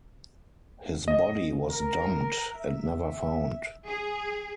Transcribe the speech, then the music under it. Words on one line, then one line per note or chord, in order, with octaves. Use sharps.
His body was dumped and never found.
D#5
A#4
E5
G#4